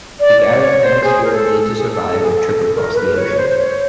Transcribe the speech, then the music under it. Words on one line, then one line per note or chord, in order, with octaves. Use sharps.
He gathers things he will need to survive a trip across the ocean.
D5
C#5
C#5
C5
G#4
A#4
A4
A4
G#4
A4
G#4
A4
A4
A#4
B4
C#5
C5
C5
C#5